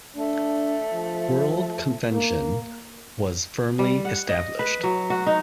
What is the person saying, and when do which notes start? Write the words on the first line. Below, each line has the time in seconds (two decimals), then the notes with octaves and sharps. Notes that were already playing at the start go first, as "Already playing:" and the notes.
'World Convention' was firmly established.
0.16 A3 D4
0.93 F3
2.13 A#3
3.79 G3
4.05 F#5
4.29 D#5
4.59 B4
4.84 F#3
5.10 F#4
5.26 D#4